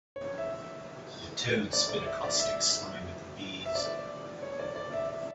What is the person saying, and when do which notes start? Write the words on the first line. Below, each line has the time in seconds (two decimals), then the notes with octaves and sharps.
The toad spit a caustic slime at the bees.
0.16 C#5
0.38 E5
1.73 D5
1.89 D5
2.06 E5
2.24 D5
2.40 E5
3.66 E5
3.75 D5
4.42 C#5
4.60 D5
4.76 D5
4.93 E5